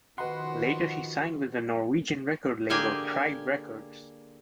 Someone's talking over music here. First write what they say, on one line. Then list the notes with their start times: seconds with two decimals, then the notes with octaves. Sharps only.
Later she signed with the Norwegian record label Tribe Records.
0.18 D#3 F3 F#4 B4 D#5 F#5 B5 C6
2.70 D3 A#3 G4 G#4 G#5